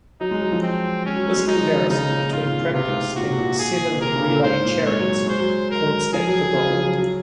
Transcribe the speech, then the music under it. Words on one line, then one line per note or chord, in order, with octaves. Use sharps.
This comparison between practice and "seven relay chariots" points at the goal.
F#3 D#4
G#3
F#3
F3
C4
G#3 C#4
F#3
F#3
G#3
F#3 D#4
F3
D#3
C#3 D#4
A#2
G#2 F4
A#2
A#2
C3 F4
G#2
G#2
A#2 F#4
C3
A#2
G#4
A#2
C3 A#4
C#3
A#2
G#2 C5
A#2
G#3 C#5
F#3
F#3
G#3 C5
F#3
A#4
F3 G#4
F#3
F#3
C#3
F3
F#3
F#3